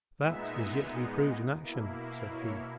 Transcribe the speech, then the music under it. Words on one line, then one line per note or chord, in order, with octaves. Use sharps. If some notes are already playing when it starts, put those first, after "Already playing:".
"That is yet to be proved in action," said he.
A#2 G#3 B3 D#4 E5
B2 A#3 E4
C#5